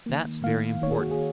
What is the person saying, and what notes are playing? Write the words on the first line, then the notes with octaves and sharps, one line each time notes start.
That's very important.
D#3 A#3
D#3 A#3 F5
D#3 C#5
A#3
G#4
F#4
G#4